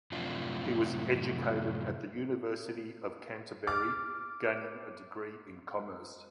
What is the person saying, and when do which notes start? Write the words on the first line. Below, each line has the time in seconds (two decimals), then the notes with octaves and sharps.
He was educated at the University of Canterbury, gaining a degree in commerce.
0.12 F#2 A2 C3 F3 D4 F4
3.67 D6 F6 A6